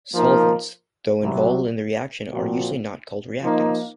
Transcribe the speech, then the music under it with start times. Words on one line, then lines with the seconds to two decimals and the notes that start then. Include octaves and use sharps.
"Solvents", though involved in the reaction, are usually not called reactants.
0.13 F3 A#3 D#4 A#4
1.23 C2 C3 F#3
2.32 A#2 F3 C4 F#4
3.42 F3 A#3 D#4